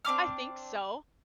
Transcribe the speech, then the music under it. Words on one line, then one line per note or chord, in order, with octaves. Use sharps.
I think so.
C4 D4 D6 F6